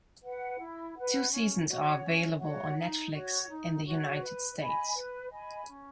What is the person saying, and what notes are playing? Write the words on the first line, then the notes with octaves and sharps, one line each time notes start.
Two seasons are available on Netflix in the United States.
B4 F#5
E4
B4 F#5
C#4
F#4 C#5 F#5
C#4
F#4 C#5 F#5
D#4
F#4 C#5
D#4
F#4 C#5
B4
D#5 G#5 B5
B4
D#5 G#5 B5
C#4